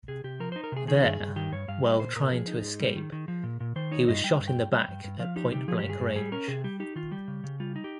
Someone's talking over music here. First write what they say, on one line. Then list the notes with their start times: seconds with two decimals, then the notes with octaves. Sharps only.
There, while trying to escape, he was shot in the back at point-blank range.
0.08 C3 G#4
0.24 C3 G4
0.40 F3 A#4
0.52 D#4 C5
0.64 A#4
0.72 C3 G#4
0.88 D#3 G#4
1.04 G2
1.20 G2
1.36 D#3 G4
1.52 G2 C#5
1.68 G2 F5
1.84 G3 D#5
2.00 A#2 C5
2.16 A#2 A#4
2.32 F3 G#4
2.48 D#4
2.64 G#2
2.80 G3
2.96 D#3
3.12 D#3
3.28 F3
3.43 A#2
3.60 A#2
3.76 D#3 C5
3.91 D#4 C#5
4.08 G2 D#5
4.24 G3 G5
4.40 G2
4.48 G5
4.56 G2
4.72 G3 G5
4.88 G2
5.04 G2
5.20 F3 F5
5.36 D#4 G4
5.52 C3 G4
5.68 F3 G#4
5.79 G2 G4
5.90 G#4
6.00 G2
6.16 G3 G#4
6.32 C#4 A#4
6.48 C3 G#4
6.64 G3 G4
6.80 D#4 G4
6.96 D#3 F4
7.11 G3 G4
7.28 C#3
7.44 C#3
7.60 G3 F4
7.76 D#4
7.84 G4